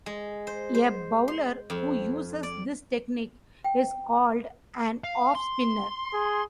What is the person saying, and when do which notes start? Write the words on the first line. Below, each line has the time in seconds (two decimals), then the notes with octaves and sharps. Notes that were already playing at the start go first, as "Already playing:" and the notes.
A bowler who uses this technique is called an off spinner.
0.06 G#3
0.47 C5
0.74 C5
1.28 C6
1.70 F2
2.43 D5
3.64 G5
5.04 F5
5.35 C6
6.13 G#4